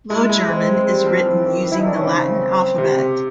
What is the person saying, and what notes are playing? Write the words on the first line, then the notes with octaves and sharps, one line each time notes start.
Low German is written using the Latin alphabet.
G#3 E4
G#3 E4
G#3 C4
G#3
G3
F3
E3
D#3
E3
E4
D#4
D#3 D4
C#4
C#3 C4
C3